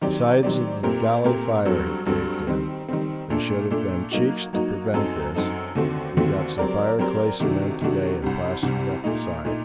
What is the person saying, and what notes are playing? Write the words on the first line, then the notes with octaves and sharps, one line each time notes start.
The sides of the galley fire have caved in--there should have been cheeks to prevent this; we got some fire clay cement to-day and plastered up the sides.
D#3 F#3 C4 G4 D5
D#3 F#3 C4 G4 D5
A#2 A3 C4 G4 A#4
A#2 A3 C4 G4 A#4
G2 F#3 C4 F#4 A4
G2 F#3 C4 F#4 A4
D#3 G3 C4
D#3 G3 C4
A#2 A3 D4 A4
A#2 A3 D4 A4
F#3 A#3 D#4 F#4
F#3 A#3 D#4 F#4
F#2 F#3 C4 D#4 A4
F#2 F#3 C4 D#4 A4
D#2 D3 A3 C4 F#4
D#2 D3 A3 C4 F#4
F#3 C4 G4 A#4 D5
F#3 C4 G4 A#4 D5
C3 D#3 A3 D4 F#4
C3 D#3 A3 D4 F#4
C2 C3 G3
C2 C3 G3
A#2 A3 D#4
A#2 A3 D#4